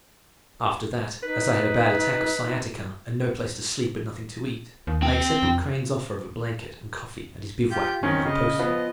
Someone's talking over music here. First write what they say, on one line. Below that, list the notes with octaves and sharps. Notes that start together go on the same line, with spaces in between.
After that, as I had a bad attack of sciatica and no place to sleep and nothing to eat, I accepted Crane's offer of a blanket and coffee at his bivouac near El Poso.
D#4 B4
D#2
C4 G5
F2
F4 G4 G6
D#3 C4 C#4
C#3 D#5
F3 B3